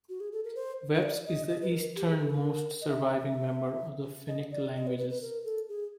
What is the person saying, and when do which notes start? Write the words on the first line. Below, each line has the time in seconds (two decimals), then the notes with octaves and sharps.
Veps is the easternmost surviving member of the Finnic languages.
0.09 F#4
0.20 G#4
0.32 A4
0.44 A#4
0.56 C5
0.95 D#5
1.03 D5
1.26 D#5
1.49 D#5
1.61 B4
1.72 A#4
1.95 G4
2.07 G#4
2.19 A4
2.30 A#4
2.82 D#5
2.89 E5
4.28 D#5
4.52 D5
4.76 D#5
4.87 B4
4.98 B4
5.10 B4
5.22 A#4
5.44 A4
5.69 G#4